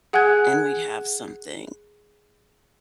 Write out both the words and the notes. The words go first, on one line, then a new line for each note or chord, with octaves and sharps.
and we'd have something,
G#4 F#5 G#5 F#6 G#6